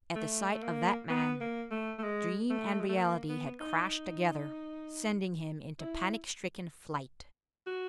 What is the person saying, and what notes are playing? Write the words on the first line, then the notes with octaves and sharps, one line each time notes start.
At the sight of that man, dream and reality had crashed together, sending him into panic-stricken flight.
A3
A3
A#3
B3
A#3
A3
A3
G#3
A3
G#3
A3
A#3
B3
D#4
E4
F#4